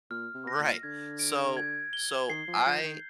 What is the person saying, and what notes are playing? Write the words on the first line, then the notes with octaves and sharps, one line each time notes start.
Right. So so I
A#2 F6
C3
A#6
A#2
D3 G#6
D7
G#6
G7
D#3 C7
F3
F3 G6
D#3